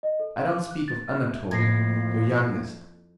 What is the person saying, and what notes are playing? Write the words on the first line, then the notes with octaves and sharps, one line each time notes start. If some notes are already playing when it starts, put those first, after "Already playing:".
I don't speak of Anatole, your youngest.
D#5
A4
F5
D6
F#6
A6
E5
F2 A2 A#3 G#6 A#6 C7